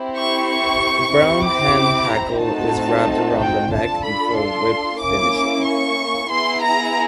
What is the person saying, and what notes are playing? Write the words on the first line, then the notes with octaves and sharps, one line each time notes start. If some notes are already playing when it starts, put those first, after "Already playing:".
A brown hen hackle is wrapped around the neck before whip finishing.
Already playing: C4 E4 G4
C#6
C#6
C4 E4 G4
D6
A#5
A3 C4 D#4 F#4 A4 A5
G5
D4 F4 A4 A5
B5
C6
A#3 C#4 E4 D6
C#6
B3 E4 G#4 C6
A#5